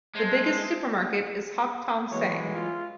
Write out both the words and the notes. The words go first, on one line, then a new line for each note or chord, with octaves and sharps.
The biggest supermarket is Hock Tong Seng.
G#3 C5 E5 A5
E3 F#3 G#3 C#5
F4